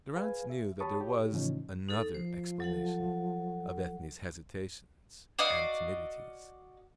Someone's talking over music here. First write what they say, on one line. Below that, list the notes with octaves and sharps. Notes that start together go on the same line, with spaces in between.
Durrance knew that there was another explanation of Ethne's hesitations and timidities.
G#4 B4 F5 G#5
E5
G4 C#5 A5 B5 C#6 D#6
G4 C#5
A2 C#3 E3 F3 C#4 D#4
D#4 A4
F3 C5
F#3 A4 F#5
F#4 D5 D#5 F5